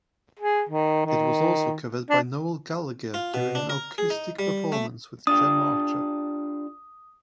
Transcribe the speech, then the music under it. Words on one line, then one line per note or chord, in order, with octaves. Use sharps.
It was also covered by Noel Gallagher during an acoustic performance with Gem Archer.
G#4
D#3
D#3
D4
F4
B2
D4
A#4
G#4
D#4
G3
A3
D4 F4 G4 D#6